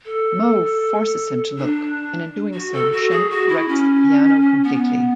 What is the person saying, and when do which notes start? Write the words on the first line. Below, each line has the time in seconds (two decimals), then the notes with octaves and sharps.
Moe forces him to look, and in doing so Shemp wrecks the piano completely.
0.06 A4
1.58 D4
2.53 F#4
2.73 A4
2.92 F#4
3.11 G#4
3.30 F#4
3.49 E4
3.68 C#4
4.64 B3